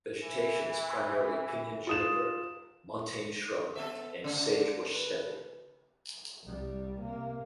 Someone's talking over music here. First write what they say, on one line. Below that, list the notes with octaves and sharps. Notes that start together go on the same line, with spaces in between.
Vegetation is primarily pinyon-juniper, montane shrub, and sagebrush steppe.
E3
F4 D#6 E7
B3 A4 E5
C#3 A3 D4
B4
C2 G3
C3 A#3